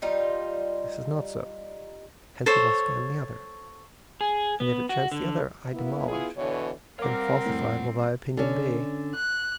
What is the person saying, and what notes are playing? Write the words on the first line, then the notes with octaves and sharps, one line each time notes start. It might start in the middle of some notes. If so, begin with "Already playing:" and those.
This is not so; hence we must scan the other, And if it chance the other I demolish, Then falsified will thy opinion be.
G3 D#4 F4
A4 C5 C#5
G#4
B3
F#4
D3
A#3 B3 E4
B3 E4 F4 G#4
B2 D3 E3 C#5
G3 C4 A#4 C#5 F5 F#5 D6
F2 A2
D3 C#4
F#6